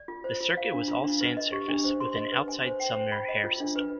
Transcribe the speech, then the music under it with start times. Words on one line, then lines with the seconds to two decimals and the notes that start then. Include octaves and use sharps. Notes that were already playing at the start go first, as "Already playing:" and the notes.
The circuit was all sand surface with an 'Outside Sumner' hare system.
Already playing: D5
0.08 F4
0.24 C5
0.40 F4
0.57 F5
0.72 D4
0.88 F4
1.04 D4
1.21 B4
1.37 D#5
1.52 G4
1.68 D4
1.84 C5
2.00 C6
2.16 D#5
2.32 B4
2.48 G#5
2.65 C5
2.80 G5
2.96 C5
3.12 B5
3.28 D#5
3.44 F4
3.60 D4
3.76 B4